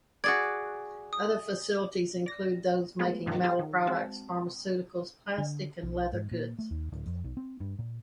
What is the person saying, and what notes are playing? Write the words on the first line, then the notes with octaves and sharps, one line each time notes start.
Other facilities include those making metal products, pharmaceuticals, plastic and leather goods.
F#4 G#4 D5 G#6 A6
D#6
D5 A#6
F#3 G#3 A3 B3 F4 G#4
G2 B2 D#3 F3 F#3 A3
F4 G4 G#4 C5 F5
D#3
G#3 C4 F#4 A5
D3
B1
G#2
A#2
A3
D#2
D1
F2
B1
C4
G2
A#2